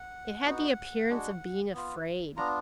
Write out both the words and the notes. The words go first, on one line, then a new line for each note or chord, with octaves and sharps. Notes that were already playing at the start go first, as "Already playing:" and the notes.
It had the appearance of being afraid.
Already playing: F#5
B3 D#4 F#4
G#3 D4 F#4
B3 F4
B3 D4 F4 A#5